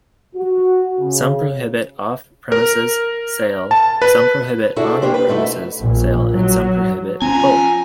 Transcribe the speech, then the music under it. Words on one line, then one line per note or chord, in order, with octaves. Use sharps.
Some prohibit off-premises sale, some prohibit on-premises sale, and some prohibit both.
F#4
C#3
A#4
A5
B4
D4 E4 F#4 G#4 A4 D5
A#3 D4 G4 C5
B4
A3 D#4 E4 F#4
A#1
F#3
F3 C4 C#4 G#5 A#5